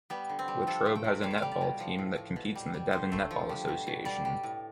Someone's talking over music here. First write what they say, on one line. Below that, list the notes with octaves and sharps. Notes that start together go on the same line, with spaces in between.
Latrobe has a netball team that competes in the Devon Netball Association.
G3 B3
D3
C4
G3
F3 A4
A3
G5
C3
G3 F5
G5
G3 F5
D5
B2
F3
A2
A2
B2
G3
G3
D3 C5
A3
F3
G3
B2
B2
G3 D5
G3
A2